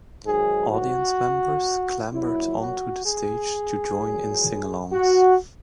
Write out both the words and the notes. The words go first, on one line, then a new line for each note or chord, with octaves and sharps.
Audience members clambered onto the stage to join in singalongs.
G#2 D#3 F#3 G#4
F#4
A#2 F#3 E4
F#4
G#4
A#2 F#3
F#4